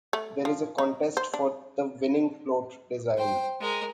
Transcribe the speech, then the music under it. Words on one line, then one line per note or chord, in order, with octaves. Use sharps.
There is a contest for the winning float design.
A3
F3
D#4
C5
D4
C5 G5
G#3 A#4